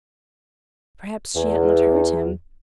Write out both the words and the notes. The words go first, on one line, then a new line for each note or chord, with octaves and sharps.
Perhaps she had not heard him.
E2